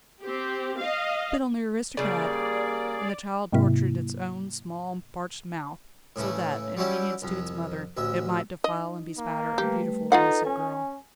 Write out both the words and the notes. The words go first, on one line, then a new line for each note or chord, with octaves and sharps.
"Spit on the aristocrat!" And the child tortured its own small, parched mouth so that, in obedience to its mother, it might defile and bespatter a beautiful, innocent girl.
C4 G4
D#5 F5
C#3 G3 A#3 G#4 D5
G#2 C3 F#3 A#3 E4
A2 C#3 E3 A3
F#3 G3 C#4 E4 G4
C2 F2
A1 D2 E5
D#4 D#5
A#3
G3 A3 G4 B4
D#4 F4 A4 B4 F5 F#5
C#4 G#5